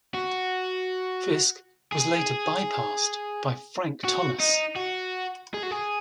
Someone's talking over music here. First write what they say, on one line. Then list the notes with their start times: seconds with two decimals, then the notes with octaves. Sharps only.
Fisk was later bypassed by Frank Thomas.
0.14 F#4
1.92 G#4
4.04 F#4
4.40 D#4
4.76 F#4
5.54 G#4
5.63 F#4
5.71 G#4